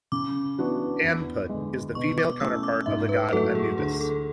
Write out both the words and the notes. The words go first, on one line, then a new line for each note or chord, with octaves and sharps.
Anput is a female counterpart of the god Anubis.
C#3 D6
E3 B3 D4 F#4
E2
D3 G#3
B2 C#6
D6
A3 C#4 E4 E6
D6
G#2 E5
B4
F#3 A3 A4
G#4
D2 G#4
A4